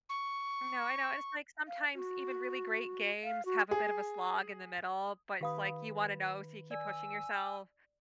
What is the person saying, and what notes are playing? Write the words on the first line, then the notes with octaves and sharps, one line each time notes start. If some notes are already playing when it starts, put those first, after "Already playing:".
No, I know, it's, like, sometimes even really great games have a bit of a slog in the middle, but it's, like, you wanna know, so you keep pushing yourself.
C#6
F5
F#4
F5
F#4
G#4
D#3 G4 B4 F5 B5 D#6
D5 G#5 E6